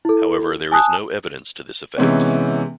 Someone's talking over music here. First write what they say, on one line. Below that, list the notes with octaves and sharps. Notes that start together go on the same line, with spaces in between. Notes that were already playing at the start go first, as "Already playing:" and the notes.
However, there is no evidence to this effect.
E4 A4
G#5 A5 D#6 F#6
C3 E3 G#3 B3 C#4